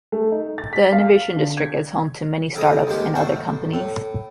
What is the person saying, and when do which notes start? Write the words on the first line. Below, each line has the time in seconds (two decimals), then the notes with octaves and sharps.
The Innovation District is home to many start-ups, and other companies.
0.12 A3
0.32 D#4
0.58 A6
0.73 B6
0.92 F5
1.36 D3
1.57 G#6
2.55 F2 C#3 A#5 D#6
2.87 D#2 F3 G#3 G4
3.15 A1 E2 A3 C5 C#6
3.73 A2